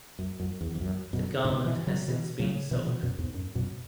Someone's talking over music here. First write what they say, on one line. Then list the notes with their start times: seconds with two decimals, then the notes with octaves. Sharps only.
The garment has since been sold.
0.19 F#2
0.40 F#2
0.61 E2
0.75 E2
0.81 F#2
1.13 F#2 B2
1.45 G#2 C#3
1.65 B2 E3
1.87 C#3 F#3
2.08 B2 E3
2.40 C#3 F#3
2.71 B2 E3
2.87 B2 E3
3.03 F#2 B2
3.18 E2 G#2
3.34 F#2
3.55 F#2 B2